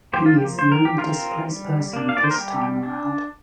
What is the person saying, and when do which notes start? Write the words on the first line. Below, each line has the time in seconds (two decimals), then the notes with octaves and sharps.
He is the only displaced person this time around.
0.13 F3 A#3 G4 C5
0.26 F4
0.36 G4
0.58 F3 C5
0.72 A#4
0.85 G4
0.98 C4 F4 A#4
1.49 G3
1.93 A#3 D4
2.09 F5
2.17 D5
2.24 C5
2.31 A#4
2.38 G3 G4
2.83 D4